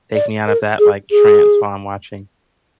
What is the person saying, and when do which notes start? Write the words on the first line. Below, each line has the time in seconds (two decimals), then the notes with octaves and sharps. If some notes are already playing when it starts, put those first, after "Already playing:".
take me out of that, like, trance while I'm watching.
0.15 D5
0.47 A#4
0.79 G#4
1.11 G#4